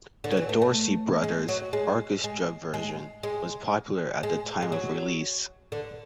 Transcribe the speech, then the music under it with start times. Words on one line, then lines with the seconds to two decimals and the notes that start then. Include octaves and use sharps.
The Dorsey Brothers Orchestra version was popular at the time of release.
0.24 D3
0.31 F#3
0.37 E3
0.49 A3
0.62 A3
1.24 G#3
1.48 F#3
1.73 G#3
2.24 G#3
2.74 G#3
3.23 G#3
4.23 G#3
4.62 G#3
4.72 F#3
5.72 D3